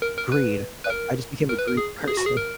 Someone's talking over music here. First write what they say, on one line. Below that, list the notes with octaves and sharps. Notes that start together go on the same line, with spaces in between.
greed, like, I just became a greedy person,
A#4
A#4
B4
B4
A#4
A#4
B4
A#4
G#4
G#4
F#4
G#4
A#4